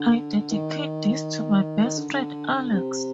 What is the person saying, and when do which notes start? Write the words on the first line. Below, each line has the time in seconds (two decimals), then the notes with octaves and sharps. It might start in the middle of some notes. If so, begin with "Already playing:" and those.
I dedicate this to my best friend, Alex.
Already playing: D3
0.51 D#3
1.84 D#3
1.98 D3
2.13 D3
2.72 C3